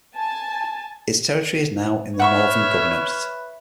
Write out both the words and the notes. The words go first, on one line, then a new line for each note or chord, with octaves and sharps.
Its territory is now in the Northern Governorate.
G#5 A5
B4 C#5 E5 F#5 B5 C#6 F6